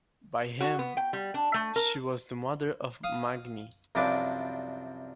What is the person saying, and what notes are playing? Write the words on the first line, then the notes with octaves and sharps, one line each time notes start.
By him she was the mother of Magni.
F#4
B3
G5
G3
D4
A3
A#4
F5 D#6
C2 F#2 F3 D4 B4 D6